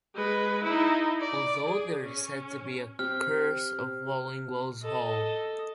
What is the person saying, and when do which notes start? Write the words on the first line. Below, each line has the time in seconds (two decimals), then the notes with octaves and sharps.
Although there is said to be a "Curse of Wallingwells Hall".
0.15 G#3 B4
0.64 D#4 E4
1.20 D5
1.68 G#4
2.02 C#4
2.99 C4 G4 F6
4.83 A4 D#5